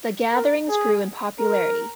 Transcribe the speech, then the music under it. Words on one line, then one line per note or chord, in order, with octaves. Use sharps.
The gatherings grew in popularity.
A#4
G#4
A#4